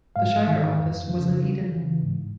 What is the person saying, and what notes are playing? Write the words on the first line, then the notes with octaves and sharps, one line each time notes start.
The shire office was in Eden.
G#2 F5
D#3
F2
C#3 F3
E2
C#3 E3
G#2